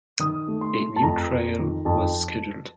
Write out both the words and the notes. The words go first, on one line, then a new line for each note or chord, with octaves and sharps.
A new trial was scheduled.
D#3 D#6
A3
C6
A3
A5
F2 A#5
F2
D#3
F2 A5